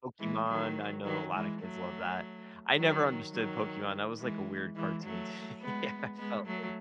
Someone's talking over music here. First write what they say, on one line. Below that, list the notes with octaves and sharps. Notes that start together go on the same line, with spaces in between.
Pokemon, I know a lotta kids love that. I never understood Pokemon, that was, like, a weird cartoon to me, I felt like
E3 G#3
D#3 F#3
D#3 F#3
E3 G#3
F#3 A3
D#3 F#3
D#3 F#3
E3 G#3
E3 G#3
F#3 A3
G#3 B3
G#3 B3
F#3 A3